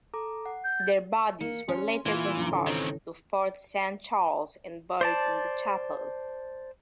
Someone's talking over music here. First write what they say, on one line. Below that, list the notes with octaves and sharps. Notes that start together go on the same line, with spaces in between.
Their bodies were later transported to Fort Saint-Charles and buried in the chapel.
A4 A#5 D6
F#5
G6
A6
A#3 C#7
C#4 C6
A#2 E3 F4
F#2 A#2 D4 A#5
G#1 C#3 E3 A4 C#5
D#3 C4
C5 D5 A5